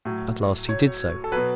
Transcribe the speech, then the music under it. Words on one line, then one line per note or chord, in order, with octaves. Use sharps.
At last he did so.
A2 F#3
C#5
A4
B2 F#3 B4